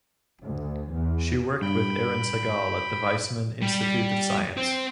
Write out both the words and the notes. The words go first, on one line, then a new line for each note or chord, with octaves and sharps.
She worked with Eran Segal at the Weizmann Institute of Science.
D2
E2
G2 G5 B5
G3
C4